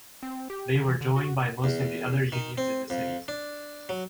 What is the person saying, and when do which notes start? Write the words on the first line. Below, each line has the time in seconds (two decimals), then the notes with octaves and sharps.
They were joined by most of the other unions in the city.
0.23 C4
0.50 G4
0.75 D3
0.88 E3
1.01 D3
1.16 F#4
1.64 E2
2.32 D#3
2.58 C4
2.90 F2
3.28 D4
3.89 F#3